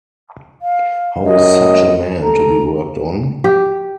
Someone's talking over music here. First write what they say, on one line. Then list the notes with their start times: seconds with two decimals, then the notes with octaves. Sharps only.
How is such a man to be worked on?
0.61 F5
1.23 F#2 D#5
2.23 A4 A#5
3.44 G4